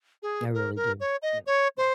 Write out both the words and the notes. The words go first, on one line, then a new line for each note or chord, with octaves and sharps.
I really do. Yeah, yeah.
G#4
A#4
A#4
C#5
D#5
C#5
C5